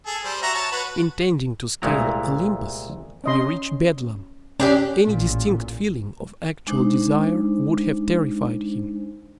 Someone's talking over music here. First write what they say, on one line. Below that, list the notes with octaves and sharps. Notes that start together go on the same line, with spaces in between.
Intending to scale Olympus, we reach Bedlam; any distinct feeling of actual desire would have terrified him.
G#4 A4
G3 C5
F#4 E5 A#5
C#5 A5
F#4 B4
C2 A#2 G#3 A3 E4 A#5
C#4 D#5 C6
C#4 D4 G4 D5
A1 A#2
G#3 D4 D#4 C5